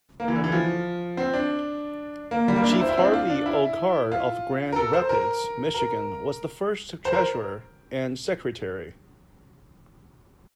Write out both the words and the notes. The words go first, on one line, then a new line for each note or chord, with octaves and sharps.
Chief Harvey O. Carr of Grand Rapids, Michigan, was the first treasurer and secretary.
A#3
E3
D3
E3
F3
C4
D4
A#3
G3
A#3
D4
E4
C5
E4
C4
D4
F4
D4
E4
F4
A#4
A4
C5
A#4
A#4
C5
A#4